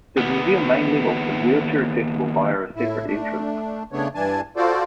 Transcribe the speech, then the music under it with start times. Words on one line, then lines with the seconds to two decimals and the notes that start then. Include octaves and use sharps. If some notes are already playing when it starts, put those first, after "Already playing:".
The museum main level is wheelchair accessible via a separate entrance.
0.17 D#2 B3
2.75 A2 E4
3.05 A3 D4
3.92 C#3 A3 B3 D4 C#5
4.15 G2 E3 D4 G#5 A5
4.56 F4 F#4 A4 C5 D5